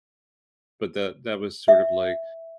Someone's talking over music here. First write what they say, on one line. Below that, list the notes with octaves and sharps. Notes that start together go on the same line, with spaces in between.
but the that was sort of like,
E5